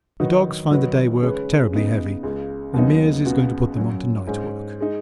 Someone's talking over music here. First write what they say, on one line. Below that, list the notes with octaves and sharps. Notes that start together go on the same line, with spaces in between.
The dogs find the day work terribly heavy and Meares is going to put them on to night work.
D#3 F#3 D#4 F#4 B4
D#3 F#3 D#4 F#4 B4
C#3 G#3 C#4 B4
C#3 B3 D#4
C#2 C#3 G#3
D#2 C#3 F#3 B3 D#4
C#2 C#3 B3 F#4
F#2 F#3 C#4
G#2 G#3 C#4
G#3 D#4